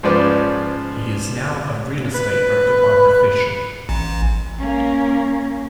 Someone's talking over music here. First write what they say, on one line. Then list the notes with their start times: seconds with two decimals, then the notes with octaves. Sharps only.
He is now a real estate broker by profession.
0.03 G#2 F3 C#4 B4 D5
2.15 B4
3.89 A1
4.58 A#3 C#4